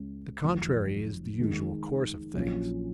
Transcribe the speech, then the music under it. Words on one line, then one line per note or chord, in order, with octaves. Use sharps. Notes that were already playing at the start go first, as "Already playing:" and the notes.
The contrary is the usual course of things.
Already playing: C#2 C#3 G#3 C#4
F1 F2 D#3 F#3
D#3 G#3 D#4
A#1 A#2 F#3 C#4 F4